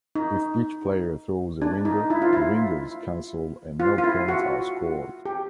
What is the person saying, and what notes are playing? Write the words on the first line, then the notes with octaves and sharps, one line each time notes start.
If each player throws a ringer, the ringers cancel and no points are scored.
D#4
D4
D#4
E4
F4
E4
F4
F4
E4
F#4
G4